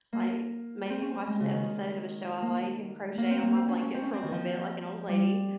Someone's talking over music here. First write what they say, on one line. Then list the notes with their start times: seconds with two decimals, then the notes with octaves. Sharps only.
like, maybe watch an episode of a show I like and crochet on my blanket for a little bit like an old lady,
0.13 A#3
0.90 C4
1.02 C#4
1.14 C4
1.27 G#3
1.40 C#3
1.53 D#3
2.42 A#3
3.18 A#3
3.30 C4
3.43 A#3
3.56 C4
3.68 C#4
3.81 C#4
3.94 C4
4.03 C#4
4.13 C4
4.23 D#3
4.32 F3
5.08 G3